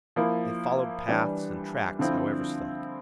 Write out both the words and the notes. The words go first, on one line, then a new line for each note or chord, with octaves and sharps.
They followed paths and tracks, however slight.
F3 A#3 E4
E3 G3 D4
D3 F3 C4 E4